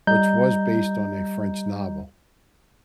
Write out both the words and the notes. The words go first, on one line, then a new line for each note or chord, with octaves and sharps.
which was based on a French novel,
G3 D#5 A#5 G6